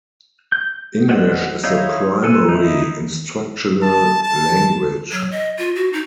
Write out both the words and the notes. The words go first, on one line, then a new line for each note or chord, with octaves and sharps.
English is the primary instructional language.
G6
G#3 B4 C5 D5 F#5
D#4 E4 C#5 D#5 F5
A4 B4 G#5
D#4 E4
A5
A5
F#3
D#5
F4
F#4
D#4